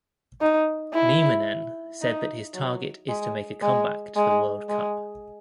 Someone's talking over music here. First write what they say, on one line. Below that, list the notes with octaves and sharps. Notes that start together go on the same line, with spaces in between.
Nieminen said that his target is to make a comeback to the World Cup.
D#4
E4
D#4
F#3
G#3
G#3
G#3
G#3